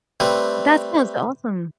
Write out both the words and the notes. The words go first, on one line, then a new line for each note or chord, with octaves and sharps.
That sounds awesome.
G3 A3 C4 B4